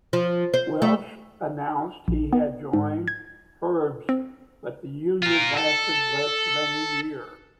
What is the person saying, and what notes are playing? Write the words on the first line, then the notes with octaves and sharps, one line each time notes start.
Walsh announced he had joined Herbs, but the union lasted less than a year.
F3
C5
A3
A#1
B3
G#2
G#6
C4
F4 A#4
A4